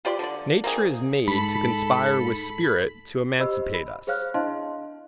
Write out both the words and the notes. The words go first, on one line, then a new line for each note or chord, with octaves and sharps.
Nature is made to conspire with spirit to emancipate us.
F4 G4 D5 C6
D3 D5
A#3 C4 D#4 G#4
G#2 A4 B5
G4 C5 D#5 B5 E6
B5
G#4 C5 C#5 F5 F6 F#6
D4 E4 D#5 F5 A5 C6